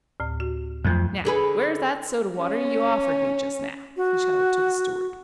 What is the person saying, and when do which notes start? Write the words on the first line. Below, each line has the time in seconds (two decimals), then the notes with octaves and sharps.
"Now where's that soda water you offered me just now?" he shouted to the steward.
0.20 D2 A2
0.40 F#4
0.85 F2 F#3 A3
1.25 D3 G#4 B4
2.40 C#4
3.97 F#4